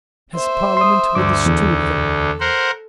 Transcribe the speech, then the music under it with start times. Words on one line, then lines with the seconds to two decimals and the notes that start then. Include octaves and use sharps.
His Parliament withstood him.
0.35 C5 E5
0.77 C6 D#6
1.15 D2 G2 D3 D6
1.46 E2 A4
2.40 A#4 C5 F#5